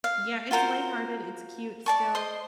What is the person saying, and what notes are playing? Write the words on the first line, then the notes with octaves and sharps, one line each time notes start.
Yeah, it's light-hearted, it's cute still,
F5
F4 F#4 A#4 C5
D5 A5 C#6
C5 D#5 C6